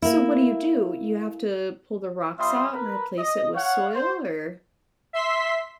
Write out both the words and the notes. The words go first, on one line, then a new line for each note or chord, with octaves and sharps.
So, what do you do? You have to pull the rocks out and replace it with soil, or
A#3 E4
G3 C4 F4 E5 C6 D#6
A#4 B4
D#5
C#5 F5 F#5
C5
E5 C6 B6